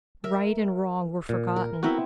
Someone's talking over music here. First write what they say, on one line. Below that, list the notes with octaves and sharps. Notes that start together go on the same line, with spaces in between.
Right and wrong were forgotten.
A#4 E5
A#2
A#4
B3 C4 E4 F#4 A#4 E5